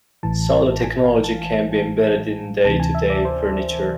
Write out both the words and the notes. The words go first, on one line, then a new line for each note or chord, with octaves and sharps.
Solar technology can be embedded in day to day furniture.
A1 A2 E3 A5
G#5
F5
A5
D2 C3 E3 A5
G#5
E5
D5
C5